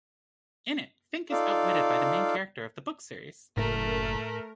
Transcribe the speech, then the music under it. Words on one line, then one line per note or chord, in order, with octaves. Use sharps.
In it, Fink is outwitted by the main character of the book series.
D#4 F4 A4 D5 F5
F#1 A2 A3 A#4